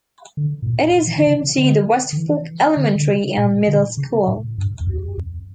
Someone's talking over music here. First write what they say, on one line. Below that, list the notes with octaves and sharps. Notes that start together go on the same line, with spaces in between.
It is home to the West Fork elementary and middle school.
D3
A2
A#2
E3
D3
C#3
D3
D3
E3
D3
D3
C#3
A#2
D3
C#3
A2
G2
E2
F2
F2